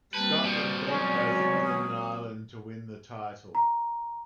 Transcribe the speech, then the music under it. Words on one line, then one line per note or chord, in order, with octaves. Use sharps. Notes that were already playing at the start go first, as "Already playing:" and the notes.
Scotland beat both England and Ireland to win the title.
G3 A#3 C4 B4 A5
B2 F3 D5
F#3 G#3 C4 C#4
D#6
A#5